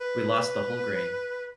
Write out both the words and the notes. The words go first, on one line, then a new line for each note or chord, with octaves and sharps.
We lost the whole grain.
B4